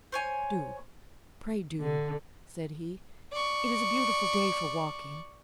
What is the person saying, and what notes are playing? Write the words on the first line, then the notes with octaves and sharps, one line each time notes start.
"Do, pray do," said he; "it is a beautiful day for walking."
C5 C#5 G#5
D3
D5 C#6